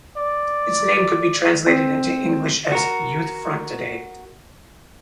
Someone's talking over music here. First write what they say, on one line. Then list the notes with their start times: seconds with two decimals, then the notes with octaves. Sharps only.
Its name could be translated into English as "Youth Front Today".
0.17 D5
1.67 C4
2.72 F#4 A#4